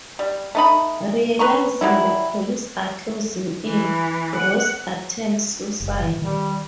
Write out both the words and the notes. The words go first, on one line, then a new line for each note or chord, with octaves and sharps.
Realizing the police are closing in, Rose attempts suicide.
G3
A3 D#4 B5
B4 A#5 C#6
F#3 G3 E4
E3
F#5
F#1
A#2 D#3 E3
D#3 G3